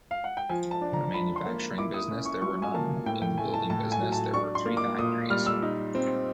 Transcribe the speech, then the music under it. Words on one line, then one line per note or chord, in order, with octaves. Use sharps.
In the manufacturing business there were none, in the building business there were three factories.
F5
F#5
G5
F3 G#5
A5
D4
A#5
F3 B5
C6
A#3
E4 D6
D#6
C#4
C#6
F#3 C#6
G#5
A#3 A5
A2 G5
G5
A3 G#5
A5
A2 A5
G#5
F#3
A5
D4 C#6
C6
A#3
D6
A#2 D#6
G3 F6
E6
D#4
C4